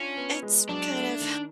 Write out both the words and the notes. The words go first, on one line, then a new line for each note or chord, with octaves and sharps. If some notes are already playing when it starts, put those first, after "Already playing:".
It's kind of
Already playing: C#4 D4 F4
B3
G#3
F#3 D4
A3
D#3